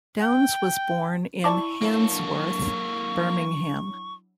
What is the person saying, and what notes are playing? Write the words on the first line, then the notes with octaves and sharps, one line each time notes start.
Downes was born in Handsworth, Birmingham.
G5
E4 D5 A5 C#6 D6
F#3 A#3 D4 E4 A4